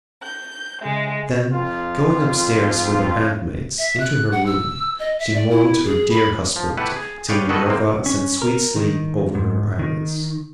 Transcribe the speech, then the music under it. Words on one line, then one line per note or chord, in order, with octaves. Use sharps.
Then going upstairs with her handmaids into her room, she mourned her dear husband till Minerva sent sweet sleep over her eyelids.
G6
C#3 G#3 E5
F2 F4
E5
F#6
F#5
E6
D#5
E5
D5
E4
G#4
B5
F3
A3 E4 G4 B4 F#5 A5
G#4
G#4 B4 C#5 D5 F5 G5
D#3 F#4 G#4 A4 B4 D#5
C3 D#3 F#3 A#3 C4
C#4
A#4
D#3
G#2
D#3